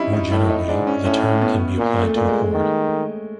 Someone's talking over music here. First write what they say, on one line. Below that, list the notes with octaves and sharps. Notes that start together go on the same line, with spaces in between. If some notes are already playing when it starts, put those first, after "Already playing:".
More generally, the term can be applied to a cord.
Already playing: G3 C4 C#4 D#4 E4
D#4
A2 E4
D#4
G#2 D4
C#4
A2 C#4
B3
A#2 A#3
A3
A#2
G#3
D#3